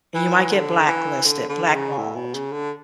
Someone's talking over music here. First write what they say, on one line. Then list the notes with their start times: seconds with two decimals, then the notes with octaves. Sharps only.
And you might get blacklisted, blackballed.
0.14 E3
0.51 D3
0.88 E3
1.25 D3
1.49 D3
1.73 C#3
1.98 A2
2.16 B2
2.34 C#3
2.52 D3